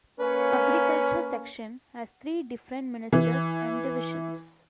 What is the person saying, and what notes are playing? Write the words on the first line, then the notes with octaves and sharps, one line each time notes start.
Agriculture section has three different ministers and divisions.
A#3 C#4 B4
E3